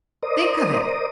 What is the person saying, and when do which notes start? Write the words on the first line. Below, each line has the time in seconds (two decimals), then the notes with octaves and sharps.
Think of it.
0.23 A#4 C5 D5 D#5 D#6